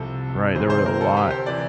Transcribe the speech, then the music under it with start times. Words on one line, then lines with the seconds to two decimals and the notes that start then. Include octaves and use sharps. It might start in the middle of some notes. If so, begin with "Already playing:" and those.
right? There were a lot
Already playing: C2 C3 F3 A4
0.55 D2 C3 E3 C5
0.70 C5
0.86 A#4
1.01 A4
1.17 G4
1.31 C5
1.46 C3 E3 D5